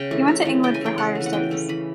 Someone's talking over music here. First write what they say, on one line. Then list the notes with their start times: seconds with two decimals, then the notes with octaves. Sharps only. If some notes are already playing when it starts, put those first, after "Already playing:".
He went to England for higher studies.
Already playing: C#3 G5
0.11 E3 A3
0.28 C#3
0.45 E3 A3
0.63 C#3 G5
0.74 G#5
0.81 E3 A3 G5
0.98 C#3 F#5
1.15 A3
1.21 E3
1.26 F#5
1.33 E3 G5
1.51 A3 C#4
1.69 E3 B5